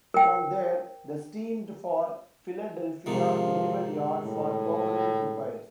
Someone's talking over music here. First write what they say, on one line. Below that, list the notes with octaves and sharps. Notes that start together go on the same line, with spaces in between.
From there, the steamed for Philadelphia Naval Yard for permanent repairs.
A#4 G5
G#2 C3 D#3 F3
A2